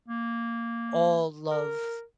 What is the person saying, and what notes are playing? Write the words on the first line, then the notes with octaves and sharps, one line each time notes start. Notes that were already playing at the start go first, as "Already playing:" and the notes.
all love
A#3
A#4